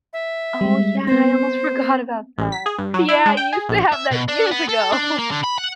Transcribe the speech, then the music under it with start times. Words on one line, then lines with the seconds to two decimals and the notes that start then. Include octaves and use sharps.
Oh, yeah, I almost forgot about that. Yeah, I used to have that years ago.
0.13 E5
0.61 G3 G#3
1.07 B3 C4 C5
2.38 A1
2.52 B6
2.66 G#4
2.78 G2
2.94 F#3
3.08 E4
3.26 G#3
3.37 G5
3.53 G#4
3.69 A#1
3.92 E5
4.11 B2
4.28 D4
4.51 B3
4.69 A4
4.92 D4
5.19 A#3
5.32 D3
5.44 B5
5.58 F#5